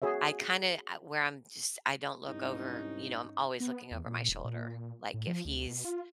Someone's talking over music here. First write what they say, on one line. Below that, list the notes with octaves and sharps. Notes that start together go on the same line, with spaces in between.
I kinda, I where I'm just I don't look over, you know, I'm always looking over my shoulder, like, if he's
F#4 G#4 C#5 E5
C2 G#2 C#4 D#4
B3
E2
A#2
D#1
A#2
A2
F3
D2
B2
F4